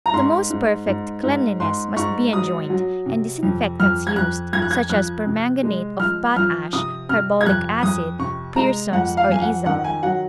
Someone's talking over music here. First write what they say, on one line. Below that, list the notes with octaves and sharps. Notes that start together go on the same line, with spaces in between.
The most perfect cleanliness must be enjoined, and disinfectants used, such as permanganate of potash, carbolic acid, Pearson's, or Izal.
A#5
G#2 C6
G#2
G#2
G#2
G#2 C6
G#2 C#6
F#3 D#6
F#3
C3
F2
F2 F6
G#6
F2 F#6
F2 G#6
F#6
G#6
F3 F#6
C3
G#3
F3 F6
F3 F6
C3 D#6
C3 F6
G#6
F2 F#6
F2 D#6
C3 C#6
G#3 A#5
F2 F#5
F5
F2 G#5
F#5
D#3 F#5
G#5
F#3 F#5